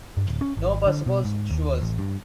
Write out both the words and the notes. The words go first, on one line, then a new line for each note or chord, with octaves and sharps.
No, but suppose she was.
G2
D1
C#4
G#1
D3
B2
G#2
D#2
A1
G2